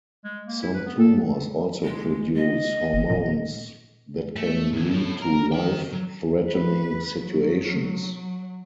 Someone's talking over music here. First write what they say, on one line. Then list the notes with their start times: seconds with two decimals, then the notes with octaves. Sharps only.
Some tumors also produce hormones that can lead to life-threatening situations.
0.25 G#3
0.46 A#3
0.63 E4
0.74 B4
0.86 B3
0.99 A4
1.84 G#3
2.36 D#5
2.94 G1
3.10 A#2
4.36 A3
4.73 D#3 C#4
4.91 A4 C#5
5.21 A#4 A#5
5.52 D#3 G5
5.93 F#3
6.50 B4
7.20 F#3
8.16 F#3